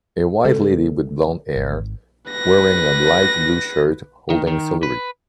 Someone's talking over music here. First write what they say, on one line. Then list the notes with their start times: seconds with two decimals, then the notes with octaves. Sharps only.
A white lady with blondhair wearing a light blue shirt holding celery.
0.45 C#3 G#3 C4 A4
1.56 G#1
2.31 B4 A#6
4.30 D#3
4.47 D#3
4.83 B4